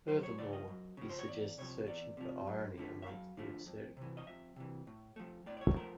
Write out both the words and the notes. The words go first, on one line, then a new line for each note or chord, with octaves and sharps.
Furthermore, he suggests searching for irony amongst the absurdity.
F#2 C5
C#5
C#3 F3 D5
D#5
F#2
C#3 F3
C5
C#5
E2 D5
C3 F3 C#5
E2 D5
C3 F3
F#2
D3 F3 A3
E5
F#2 F5
D3 F3 A3
F2
C3 E3
D#5
F2 E5
C3 E3
A2
F3 A3
A2 D5
D5
C#5
F3 A3 A#4